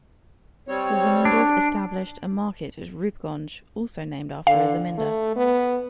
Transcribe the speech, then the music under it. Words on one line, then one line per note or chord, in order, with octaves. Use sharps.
The zamindars established a market at Roopgonj, also named after a zamindar.
G3 C4 C#5
D4
D3 F5
A3
B3